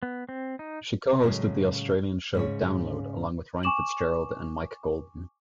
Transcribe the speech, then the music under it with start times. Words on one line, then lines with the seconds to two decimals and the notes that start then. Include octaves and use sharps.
She co-hosted the Australian show "Download" along with Ryan Fitzgerald and Mike Goldman.
0.03 B3
0.29 C4
0.59 D#4
1.23 A2 C#3 F#3 G#3
2.35 G#2 C#3 C#5
3.63 G#5 C#6 D6 E7 F#7